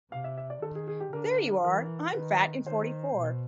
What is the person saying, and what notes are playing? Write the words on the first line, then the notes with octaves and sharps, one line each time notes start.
There you are, I’m fat and forty-four.
C3 F5
E5
E5
D5
D#3 A4
G#4
G#4
G4
D3 A#4
E3 A#4
D#3 B4
D#3 C5
B2